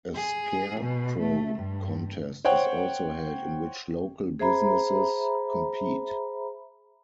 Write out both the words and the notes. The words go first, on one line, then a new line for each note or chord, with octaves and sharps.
A scarecrow contest is also held in which local businesses compete.
G#4
B2
A3
G2
C5 C#5 F#5 G5
G#4 C5 E5 A#5 B5